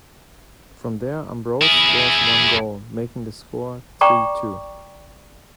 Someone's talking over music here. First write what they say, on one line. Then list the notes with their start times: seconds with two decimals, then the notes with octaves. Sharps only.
From there, Ambrose scores one goal-making the score three-two.
1.61 E4 G#4
4.01 D5 G5 A#5 C#6 D6